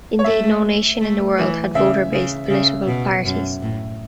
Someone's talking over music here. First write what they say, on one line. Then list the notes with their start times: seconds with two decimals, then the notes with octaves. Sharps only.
Indeed, no nation in the world had voter-based political parties.
0.19 C#5
0.24 A3 E5
1.00 A3
1.38 E3
1.75 C#3 E5
2.12 C#3
2.50 C#3
2.87 B2
3.26 F#2
3.62 A2